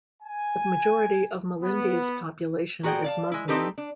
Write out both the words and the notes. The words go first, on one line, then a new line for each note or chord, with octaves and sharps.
The majority of Malindi's population is Muslim.
G#5
B3
A#2 F#4 G#4 D5 G5
D5 F5 A5
G#3 E4
C4 D4 D#4 G4 A4 B4
D4